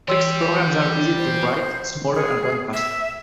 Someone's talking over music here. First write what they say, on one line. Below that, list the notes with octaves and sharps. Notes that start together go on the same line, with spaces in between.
Text programs are easier to write, smaller, and run faster.
E3 G3 C#5 C6 E6
C5
G#4
E5